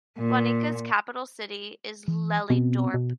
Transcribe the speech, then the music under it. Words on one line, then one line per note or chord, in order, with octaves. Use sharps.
Wanica's capital city is Lelydorp.
A#2
E3
B2 B3 C4
B2